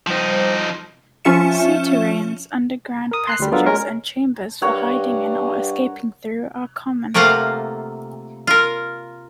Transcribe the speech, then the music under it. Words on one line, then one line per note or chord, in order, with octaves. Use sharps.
Souterrains, underground passages and chambers for hiding in or escaping through, are common.
F3 G3 D#4 C5
F3 C#4 F4 E5 C#7 E7
A#4 D#6
C6 F#6 C7
D2 G3
F#3 B3 D4 F4 A4 A#4
G#3 C#4 A#4 C#5
G2 A#4 C#5 F#5
C3 A3 A#3 F4 F5 F#5
F4 A#4